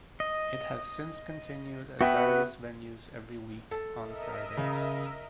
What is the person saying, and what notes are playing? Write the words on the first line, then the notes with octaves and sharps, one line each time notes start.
It had since continued at various venues every week on Fridays.
D#5
B3 F#4 B4 E5 F#5 G5
A4
A#4 D#5 E5
C#3